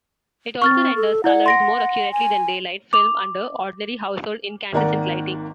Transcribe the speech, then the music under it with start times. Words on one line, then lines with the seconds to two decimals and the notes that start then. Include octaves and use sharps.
It also renders colors more accurately than daylight film under ordinary household incandescent lighting.
0.62 C4 C#6 F6 A6
0.96 A4
1.24 E4 D5 F#5
1.46 C6 A#6 D7
2.12 G#5
2.93 D6 F7
4.73 G#1 D#3 A#3 D5 F#5 A#5